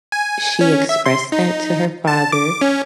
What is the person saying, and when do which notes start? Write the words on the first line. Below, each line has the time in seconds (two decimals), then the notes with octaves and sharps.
she expressed that to her father,
0.12 G#5
0.61 C#4
0.89 E5
1.06 C6
1.32 D#4
2.07 A5
2.32 D6
2.61 C#4